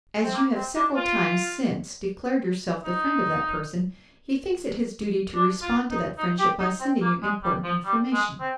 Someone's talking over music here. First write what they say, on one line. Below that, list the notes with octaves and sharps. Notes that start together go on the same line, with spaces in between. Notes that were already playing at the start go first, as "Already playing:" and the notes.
As you have several times since declared yourself the friend of that person, he thinks it his duty to respond to that friendship by sending you important information.
C4
A#3
C4
D4
F4
D#4
D4
F4
D#4
D#4
G4
D#4
C4
A#3
G#3
G3
F3
G3
G#3
C4